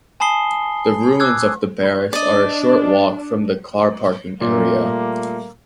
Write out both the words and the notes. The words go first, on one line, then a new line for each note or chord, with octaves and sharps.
The ruins of the barracks are a short walk from the car parking area.
G#5 A5 B5 D#6 C7 G7
D6 E6 F#6 G#6
D4 D5 D#5
A#2 G3 A3 A#3